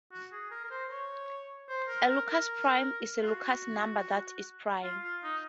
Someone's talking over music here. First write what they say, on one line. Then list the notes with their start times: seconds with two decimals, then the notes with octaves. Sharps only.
A Lucas prime is a Lucas number that is prime.
0.11 F#4
0.32 G#4
0.51 A#4
0.64 A#4
0.70 C5
0.90 C#5
1.69 C5
1.88 A#4
2.08 A#4
2.28 A#4
3.22 F4
3.26 F#4
4.83 F4
5.03 F4
5.23 D#4